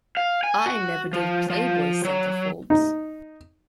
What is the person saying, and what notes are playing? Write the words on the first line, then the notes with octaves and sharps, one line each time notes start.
I never did "Playboy" centerfolds.
F5
G#5
F#4
F3
F3
F#3
D#4